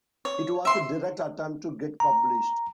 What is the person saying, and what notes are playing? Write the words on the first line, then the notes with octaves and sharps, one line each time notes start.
It was a direct attempt to get published.
C#5
E5 C6
A#5